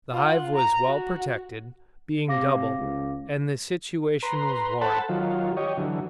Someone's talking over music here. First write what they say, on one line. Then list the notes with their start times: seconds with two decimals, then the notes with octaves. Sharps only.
The hive was well protected, being double, and the situation was warm.
0.12 F4 F#5
0.54 A#5
0.86 F#4
2.28 C3 F5 D6 A#6
2.79 C#2
4.23 B4 A#5 C6
4.81 A4 C5 F#5 A5 B5
5.09 D#3 F#3 F4
5.57 G4 C#5 D#5
5.77 D3 E3 F#3